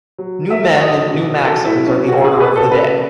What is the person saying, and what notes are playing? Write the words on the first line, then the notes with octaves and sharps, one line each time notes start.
New men and new maxims are the order of the day.
F#3
F#3 E5
C#5
F#3 D#5
B2
F#3 A4
E4
F#3
C#4
B2 F#4
G#4
B2 B4
A4
C#3 B4